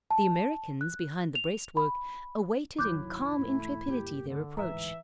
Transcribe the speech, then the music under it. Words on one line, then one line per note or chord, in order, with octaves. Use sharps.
The Americans, behind the breastwork, awaited in calm intrepidity their approach.
A5
F#6
F7
B5
F#1 C2 D#3 F#3 E4 D6 F#6 G6
E1 G#2 A3
D2 G2 A#3 G4
D3
A1 D2 G#2 E3 E5 A#5